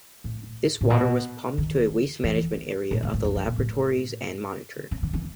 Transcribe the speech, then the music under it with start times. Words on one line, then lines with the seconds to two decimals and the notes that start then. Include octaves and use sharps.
This water was pumped to a waste management area of the Laboratories and monitored.
0.24 A2
0.81 A2
0.90 B2
1.58 D#3
2.24 E3
2.91 A2
3.03 A2
3.14 G#2
3.24 E2
3.35 F#2
3.46 B2
3.58 A2
4.91 C#3
5.03 D#3
5.13 E3